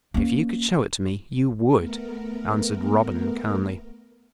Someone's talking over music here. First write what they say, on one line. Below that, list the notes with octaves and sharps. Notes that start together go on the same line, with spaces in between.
"If you could show it to me, you would," answered Robin, calmly.
A#3 C#4
A3 B3 A#4